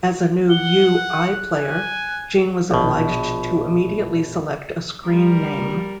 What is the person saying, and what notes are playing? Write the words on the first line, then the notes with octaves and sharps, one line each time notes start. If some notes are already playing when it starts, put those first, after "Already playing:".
As a new U-I player, Gene was obliged to immediately select a screen name.
F#5 G7
F#6
G#5
A#1 B2
G3 A#4